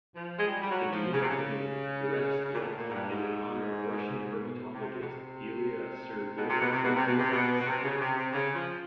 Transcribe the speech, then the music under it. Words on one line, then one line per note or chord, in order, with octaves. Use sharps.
The generic name, "Darevskia", is in honor of Russian herpetologist Ilya Sergeyevich Darevsky.
F3
G#3
G3
G3
F#3
F3
C#3
C3
C#3
C#3
A#2
A2
A#2
G#2
G2
G#2
B2
C3
B2
C3
B2
C3
B2
C3
B2
C3
B2
C3
B2
B2
C3
C#3
C3
C3
C#3
F3